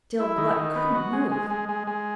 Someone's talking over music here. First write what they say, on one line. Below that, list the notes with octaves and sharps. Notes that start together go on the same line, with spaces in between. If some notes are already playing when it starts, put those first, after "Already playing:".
Still Gluck couldn't move.
E4
D#3
D#3
B3
F#4
G#3
G#3
G#3
G#3
G#3